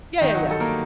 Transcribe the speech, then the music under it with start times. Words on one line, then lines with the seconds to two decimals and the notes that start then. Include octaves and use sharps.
Yeah, yeah, yeah.
0.21 G1 D#3 D#4
0.34 F#3 F#4
0.47 G2 A4
0.60 A#3 A#4